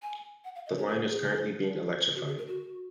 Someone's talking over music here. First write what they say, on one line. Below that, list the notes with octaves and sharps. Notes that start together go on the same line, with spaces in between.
The line is currently being electrified.
G#5
F#5
F5
D#5
C#5
A#4
G#4
F#4
G#4
A#4
F#4